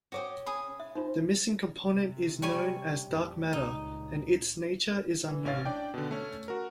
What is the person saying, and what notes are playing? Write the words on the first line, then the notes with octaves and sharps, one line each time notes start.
The missing component is known as dark matter and its nature is unknown.
C#4 F#4 C#5 G5 D6 D#6
G#4 G#5 B5 D#6
E5
D#4 F4 C5
C3
G3 C#5 G#5
F2 A3
C#2 A#2 D#4
E3
A1 C#4 E4 F5 A6
D4 D5 G5
B2 D3
A3 C#4
F#4 A#4